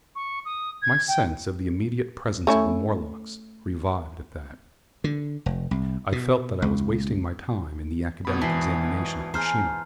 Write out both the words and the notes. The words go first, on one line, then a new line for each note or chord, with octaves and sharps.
My sense of the immediate presence of the Morlocks revived at that. I felt that I was wasting my time in the academic examination of machinery.
C#6
D#6
G#6
G5
A3 C#4 E4
D3
F1
C2
B2
C#2
G#1 B2 B5
E3 A5 C7
B3 G#4 C5 G#5 A#5 F6